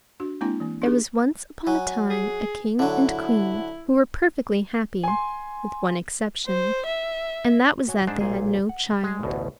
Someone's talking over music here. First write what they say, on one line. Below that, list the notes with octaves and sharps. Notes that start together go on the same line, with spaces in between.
There was once upon a time a King and Queen who were perfectly happy, with one exception, and that was that they had no child.
D4 F#4
G#3 A#3 C4 D4 E4 G5
E3 A#3
D4 D#4 G4 G#4
F#3 G#5
G#4
D3 F#3 E4
G#5 C6
C5
E5
F#4 C#5 G#5
G#2 G#3 D4 C5 A5
B1 A#2 G#4
F#5
G#3 G#4
A1 D2 B2